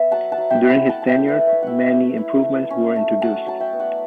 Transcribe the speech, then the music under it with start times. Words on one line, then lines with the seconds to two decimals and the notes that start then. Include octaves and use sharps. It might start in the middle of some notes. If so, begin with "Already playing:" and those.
During his tenure many improvements were introduced.
Already playing: B3 E5
0.11 F#3 F#5 A5
0.32 F#5 A5
0.38 F#3
0.50 E5 G5
0.63 E4
0.70 G5 B5
0.89 A3 F#5 A5
1.02 A5
1.08 E5 G5
1.15 A3
1.28 B4 D5
1.40 A3
1.47 C#5 E5
1.62 E4 E5 F#5 G5
1.93 E4
2.18 E4
2.43 A3
2.70 C#4
2.96 A3
3.21 F#3 F#5 A5
3.47 F#3 A5
3.60 E5 G5
3.73 B3
3.79 D5 F#5